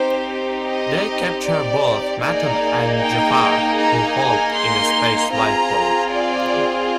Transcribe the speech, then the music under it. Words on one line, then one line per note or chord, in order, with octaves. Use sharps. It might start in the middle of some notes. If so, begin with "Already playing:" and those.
They capture both Matton and Jaffar, who followed in a space lifeboat.
Already playing: C4 D#4 G4 C5
D#5
D5
A#3 D#4 G#4 D5
G5
A#5
G#5
C6
C4 F4 G#4 A#5
D5